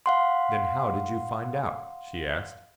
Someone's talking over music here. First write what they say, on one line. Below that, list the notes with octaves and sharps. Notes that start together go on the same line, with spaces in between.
"Then how did you find out?" she asked.
F5 F#5 C6